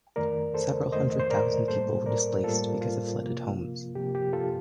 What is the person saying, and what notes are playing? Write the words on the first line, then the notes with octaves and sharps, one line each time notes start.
Several hundred thousand people were displaced because of flooded homes.
F2 D#3 A3 A#4 D5
A4 C5
F2 D#3 A3 C5 D#5
C5
A#4 D5
A2 G3 A#3 A4 C5
A#4 D5
A2 G3 A#3 F4 A4
F4
C3 F3 A#3
C3 F3 A#3 G4
G4
F4 A4